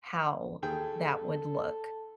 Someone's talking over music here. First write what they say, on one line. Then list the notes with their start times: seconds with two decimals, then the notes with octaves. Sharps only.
how that would look.
0.62 D#2 G#4 A4 G5